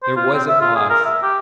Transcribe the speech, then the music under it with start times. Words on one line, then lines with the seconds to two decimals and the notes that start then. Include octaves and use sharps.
There was a pause.
0.03 C5
0.17 F4
0.34 C4
0.48 E5
0.61 F4
0.76 G#4
0.90 A#4
1.06 E5
1.23 G4